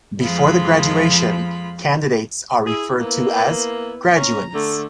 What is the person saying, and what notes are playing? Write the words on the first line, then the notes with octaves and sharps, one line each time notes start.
Before the graduation, candidates are referred to as graduands.
F2 F3 G#3 F4 B5
E4 G#4
A#3 B3 E4
C#4 A#5
D3 A3